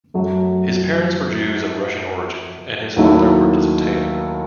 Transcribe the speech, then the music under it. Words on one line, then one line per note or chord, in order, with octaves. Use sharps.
His parents were Jews of Russian origin and his father worked as a tailor.
F#2 F#3 A3
D#2 D#3 F#3 A3 E4